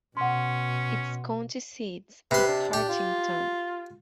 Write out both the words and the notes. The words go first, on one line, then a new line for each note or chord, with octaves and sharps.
Its county seat is Hartington.
B2 C#4 F#5 C6
C3 B4 C6
D4
G4
F4